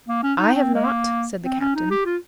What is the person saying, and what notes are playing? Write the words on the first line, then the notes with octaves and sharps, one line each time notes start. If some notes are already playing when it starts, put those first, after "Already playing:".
"I have not," said the Captain.
A#3
C#4
D#4
C4
G#3
A#3
C4
C#4
D#4
G4
F4